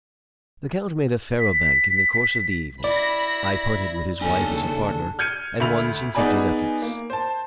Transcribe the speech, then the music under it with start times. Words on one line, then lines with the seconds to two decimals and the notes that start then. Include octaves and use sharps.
The count made a faro bank in the course of the evening, I punted with his wife as a partner, and won some fifty ducats.
1.39 B6
2.84 E4 D5 B5 A#6
4.21 D#2 C#3 D4 A4 G#5
5.19 F6 G6 G#6 C#7 D#7
5.60 D2 E5 B5 F7
6.15 B3 D#4 G#4 D5 G#5 B5
6.82 A#3
7.10 C5 A5